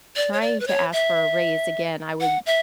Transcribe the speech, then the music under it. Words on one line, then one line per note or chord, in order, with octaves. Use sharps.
trying to ask for a raise, again, I would
D5
C#5
D5
B4
C#5
E5
F#5
E5